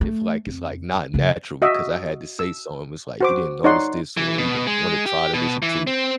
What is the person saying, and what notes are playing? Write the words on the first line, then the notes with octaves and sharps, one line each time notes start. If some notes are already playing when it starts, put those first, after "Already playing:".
If like it's like not natural because I had to say something, it's like, you didn't notice this or even wanna try to listen to
A3
F2
C#3 B3
F#4 D#5 E5
E6
F#4 C5 D6
D#4 C#5 D5 F#5 C6
E3
B2
G#3
G4
B2
E3
C4